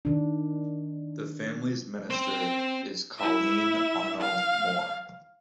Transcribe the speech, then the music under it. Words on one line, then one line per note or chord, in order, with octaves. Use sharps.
The families minister is Colleen Arnold-Moore.
D#3 D4
C4 C5
E4 E5
F5